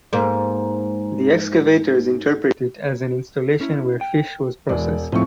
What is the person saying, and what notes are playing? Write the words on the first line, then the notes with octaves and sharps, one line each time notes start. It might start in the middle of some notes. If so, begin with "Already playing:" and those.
The excavators interpret it as an installation where fish was processed.
G#2 A#3
C#4 E4
G5
E1 B2 E3 G#3 D5
C2 A2 F3 G#3 C4 D#4 C#6